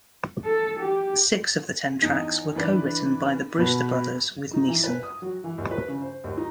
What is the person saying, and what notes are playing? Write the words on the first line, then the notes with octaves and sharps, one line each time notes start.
Six of the ten tracks were co-written by the Brewster brothers with Neeson.
A4
G4
E2 D#4
E3 D4 B4 D5
B2 B4
D#4
E3
B4
D#6
F#3
E3
D#2
B4
C#3
C5
D#2
D#4